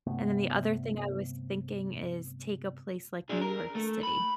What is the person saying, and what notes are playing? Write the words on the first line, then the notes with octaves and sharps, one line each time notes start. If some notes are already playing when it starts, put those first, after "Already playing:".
And then the other thing I was thinking is, take a place like New York City-
G2 C3 A3 B3
D4 G#4
A#4
A3
B5